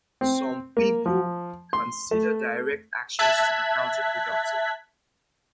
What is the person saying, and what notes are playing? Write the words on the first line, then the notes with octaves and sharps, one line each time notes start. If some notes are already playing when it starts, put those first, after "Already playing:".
Some people consider direct actions to be counter-productive.
C4
A#3
F3
C6
A3
E5 A5 F#6 G#6 B6